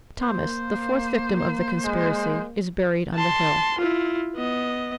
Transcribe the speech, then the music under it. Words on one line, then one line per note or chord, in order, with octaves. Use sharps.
Thomas, the fourth victim of the conspiracy, is buried on the hill.
A#3 C5
G#3
A5 C6
E4 F4
B3 D#5